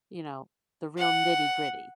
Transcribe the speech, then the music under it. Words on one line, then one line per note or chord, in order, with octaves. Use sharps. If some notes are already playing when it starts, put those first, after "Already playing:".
you know, the real nitty-gritty?
F#5